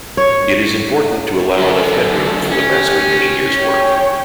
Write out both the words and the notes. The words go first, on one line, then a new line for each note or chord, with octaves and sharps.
It is important to allow enough headroom for the mastering engineer's work.
C#5
F#2 D3 A4
C#4 G4
C#5 G5